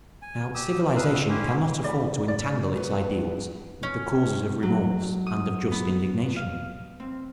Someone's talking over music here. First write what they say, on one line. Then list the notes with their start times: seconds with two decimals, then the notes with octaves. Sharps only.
Now civilisation cannot afford to entangle its ideals with the causes of remorse and of just indignation.
0.22 G#5
0.55 G4 D#6 E6
0.96 B4 F5 D#6 E6
1.29 C#4 E4 G4 C5
1.84 D5 B5
2.28 D5
2.76 B3
3.83 C#4
4.63 F#3
5.27 D#6
5.71 B3
6.36 F5
7.00 C4